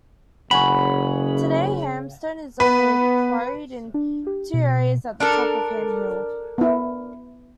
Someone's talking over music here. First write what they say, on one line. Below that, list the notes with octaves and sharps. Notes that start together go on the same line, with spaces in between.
Today hamstone is only quarried in two areas at the top of Ham Hill.
F#1 C#3 F#5 G#5 B5 C#6
B3 B4
D4
G4
B2
D4 A4 A#4
B3 E4